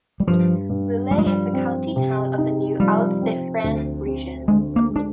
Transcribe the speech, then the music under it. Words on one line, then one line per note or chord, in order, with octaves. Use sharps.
Lille is the county town of the new Hauts-de-France region.
G3
G2 F3
G2
F3 G3
G#3
G3
C4
C3
D#4
F3 G3
C4
D2
C4
D3 G#3
A#3
G#3
D4